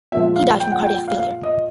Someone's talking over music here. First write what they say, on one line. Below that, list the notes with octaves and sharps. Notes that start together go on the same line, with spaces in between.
He died from a cardiac failure.
A#2 F3 G#3 E5
F5
G5
F#5
G5
F5
F5
D#5